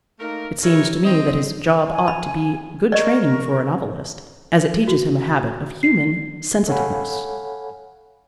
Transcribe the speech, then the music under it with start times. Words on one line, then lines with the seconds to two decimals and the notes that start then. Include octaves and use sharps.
It seems to me that his job ought to be good training for a novelist, as it teaches him a habit of human sensitiveness.
0.20 A3 A#3 D#4 A#4
0.63 D#4 E4 G4 A4 A#4 C#5
1.05 C4 D#5
1.89 G#5
2.08 B5
2.92 A#4 D5 D#5 C#6
4.88 F#4
5.83 C7
6.68 A4 C#5 F5 F#5 G#5 B5